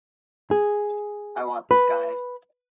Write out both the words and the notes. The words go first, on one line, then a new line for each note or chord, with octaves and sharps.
I want this guy.
G#4
B4